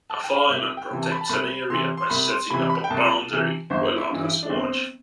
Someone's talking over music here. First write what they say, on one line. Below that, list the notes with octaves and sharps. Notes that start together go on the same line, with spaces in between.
A fireman protects an area by setting up a boundary while others watch.
A5
G5
F5
C2 E5
G5
C3 E3
A5
B5
A5
C2 B5
C3 E3 C6
C6
C2 B5
C6
C3 E3 B5
B5
G5
C2 A5
C3 E3
G1 C5
E4
G2 E3
E4
D4
G1 C4